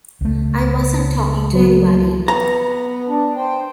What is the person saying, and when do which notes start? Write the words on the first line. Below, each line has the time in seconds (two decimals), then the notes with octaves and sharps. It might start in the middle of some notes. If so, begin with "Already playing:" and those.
I wasn't talking to anybody.
0.21 C#2 A3
1.53 F#3
2.28 B3 A#5
3.08 D4
3.36 C5 G5